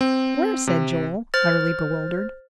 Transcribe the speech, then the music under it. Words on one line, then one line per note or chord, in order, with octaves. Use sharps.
"Where?" said Joel, utterly bewildered.
C4
C3
C5 F6 A6